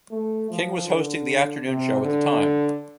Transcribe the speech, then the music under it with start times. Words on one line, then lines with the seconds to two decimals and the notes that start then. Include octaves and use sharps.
King was hosting the afternoon show at the time.
0.11 A3
0.51 F3
0.88 D3
1.65 C3
2.03 D3